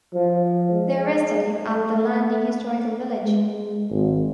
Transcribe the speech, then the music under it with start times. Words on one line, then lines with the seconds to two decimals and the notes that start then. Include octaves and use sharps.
They arrested him at The Landing historical village.
0.14 F3
0.71 G#3
1.73 A3
3.24 G#3
3.90 G#1